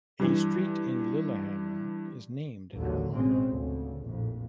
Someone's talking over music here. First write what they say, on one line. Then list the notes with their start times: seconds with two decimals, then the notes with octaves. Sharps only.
A street in Lillehammer is named in her honor.
0.20 G2 E3
2.74 A1 D#2 D3 F#3
3.13 A1 G#2 B2 G#3 C4 C#4
3.48 D2 C#3
4.03 A#1 F2 A2